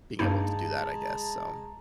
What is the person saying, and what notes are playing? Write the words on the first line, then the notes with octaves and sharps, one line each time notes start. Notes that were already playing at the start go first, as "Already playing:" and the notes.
being able to do that, I guess. So
G2 G#3 A#3 D#4 A5 A#5